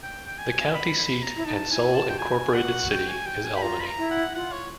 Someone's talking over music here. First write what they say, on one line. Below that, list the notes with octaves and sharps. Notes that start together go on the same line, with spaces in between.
The county seat and sole incorporated city is Albany.
G5
G5
G#5
B5
B5
A#5
E4
D#4 A5
E4 G#5
F#4
F4 A5
F4 G5
F#4 G#5
F#5
G5
G#5
G5
G#5
B5
F4 A#5
B5
A#5
E4
F#5
F4 F#5
C#5